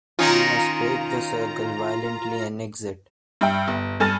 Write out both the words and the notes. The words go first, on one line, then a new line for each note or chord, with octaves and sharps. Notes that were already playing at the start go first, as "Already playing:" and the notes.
We must break the circle violently and exit.
D#3 C#4 D#4 F4 A#5
G2 E5 G5
G1
G2 A4 G#5 A5 F6 A6